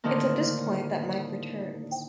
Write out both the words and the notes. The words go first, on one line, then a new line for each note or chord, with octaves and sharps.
It's at this point that Mike returns.
A2 D3 D#3 F3 A#3